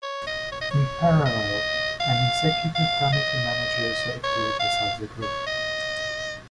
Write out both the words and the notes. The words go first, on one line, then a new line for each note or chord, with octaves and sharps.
In parallel, an Executive committee manages the activities of the group.
C#5
D#5
C#5
D#5
C#5
D#5
F5
F5
D#5
C#5
F5
C#5
D#5